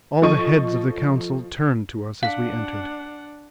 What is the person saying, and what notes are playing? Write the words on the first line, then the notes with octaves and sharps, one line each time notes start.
All the heads of the Council turned to us as we entered.
F3 A4 D#5 C#6 D#7
D4 F5 F#5 B6